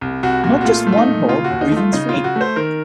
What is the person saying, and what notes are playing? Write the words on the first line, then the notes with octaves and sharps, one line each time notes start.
Not just one hole, or even three.
C2
C2 F#4
A#2 F#4
F#4
A3 F4
A3
F4
D#4
A#2
C#3 F4
F#4
D#2
D#4
A3
F4
C#3 D#4
F4
C#3
F#4
A3 C5
D#3 A#4